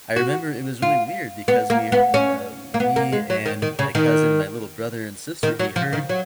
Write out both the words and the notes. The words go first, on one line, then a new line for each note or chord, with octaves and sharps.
I remember it was really weird because we're, uh w me and my cousin and my little brother and sister, we heard
F#4
F4
B3
A#3
B3
C#4
A#3
B3
A#3
G#3
F#3
D#3
D#3
C#3
D#3
D#3
F#3
F3
D#3
F#3